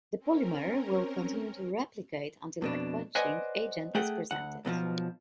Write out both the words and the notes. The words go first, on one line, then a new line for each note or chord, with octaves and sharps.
The polymer will continue to replicate until a quenching agent is presented.
C4 C#4 A#4
F2 B2 D4
B4 C5 D5 D#5 F#5 G#5
A3 G#4 F#5 G5
D2 F#5
B1 B2 D3 F3